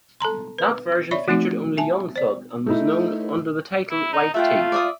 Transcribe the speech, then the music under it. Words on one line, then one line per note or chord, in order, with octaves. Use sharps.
That version featured only Young Thug and was known under the title "White Tee".
A4 A5 A#5 C6
B4
C#5 D5 E5 B5 C#6
F3 A3 C4 D#4 F#4
E5 G#5 A5
C5 D5
A3 D#4 E4
E4
D#4
A3 F4 E5 F#5 G5
D5 E5 D#6